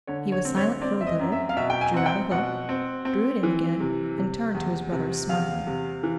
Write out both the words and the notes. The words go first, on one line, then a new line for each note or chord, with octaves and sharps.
He was silent for a little, drew out a hook, threw it in again, and turned to his brother smiling.
D3 C#5
C#5
C4
C#5
C4 D5
E5
D#5
F#2
E5
F5
B2 E5
G5
G#5
C4 F#5
G5
B2 F#5
C4
C4
E3
C3
C3
E2
C3
E2 F5
C3
E3